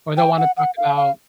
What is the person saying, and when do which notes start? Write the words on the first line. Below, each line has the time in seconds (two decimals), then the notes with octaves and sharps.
or they'll wanna talk about
0.17 G5
0.37 F#5
0.57 F#5
0.77 F5
0.97 F5